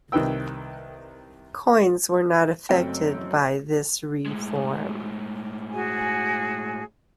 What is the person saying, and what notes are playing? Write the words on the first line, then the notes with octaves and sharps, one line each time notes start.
Coins were not affected by this reform.
C2 D#3 D#4 B4 G5 E6
F#1 F#2 A3 C4 C#4 G5
A2 G#3
F#4 G#4 G#5